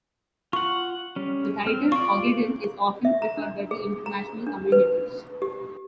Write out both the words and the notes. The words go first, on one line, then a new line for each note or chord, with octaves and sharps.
The title "Ogaden" is often preferred by the international communities.
F4 F#5 C#6
G3 C#4
C4 F6
F4 D5 C#6
E5
A#5
D4
G#4
A#5
D4
B4
G4